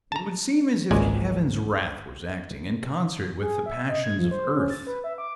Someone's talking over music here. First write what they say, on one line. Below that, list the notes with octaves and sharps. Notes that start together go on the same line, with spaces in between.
It would seem as if Heaven's wrath was acting in concert with the passions of Earth!
A5 A#5
G#1 C#2 A#2 G#3 D5 G#5
G#4
E5
D#5
G#6
F3
C5
C#4
A6
B4
E5
D6